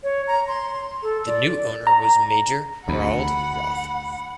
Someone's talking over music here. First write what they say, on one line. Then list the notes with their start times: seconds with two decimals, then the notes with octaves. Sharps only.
The new owner was major Harald Rothe.
0.04 C#5
0.27 A#5
0.48 C6
1.03 A4
1.27 D5
1.87 A#5
2.89 D2 F#5 B5